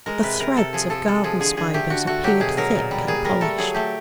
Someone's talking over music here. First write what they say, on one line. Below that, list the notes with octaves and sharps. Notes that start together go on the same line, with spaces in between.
The threads of garden spiders appeared thick and polished.
G#3 A#4
C3 B4
C3 A#4
C3 A4
F3 G#4
F3 A4
G#3 A4
F3 G#4
D3 G#4
D3 G#4
A3 G4
D3 F#4
A3 F#4
F#3 G4
B2 G#4
F#3 A#4
A#2
G3
A#2 G#4
G3 A#4
A3 A4
F#3 G#4
A3 G4